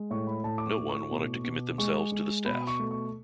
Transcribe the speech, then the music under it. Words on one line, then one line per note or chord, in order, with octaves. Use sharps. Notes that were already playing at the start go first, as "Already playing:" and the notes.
No one wanted to commit themselves to the staff.
Already playing: G#3
A2 C#6
B5
A2 A5
D6
C#6
A2
C#6
B2
B2
G#3 C#6
G#3
B2 B5
C#6
A3
C#6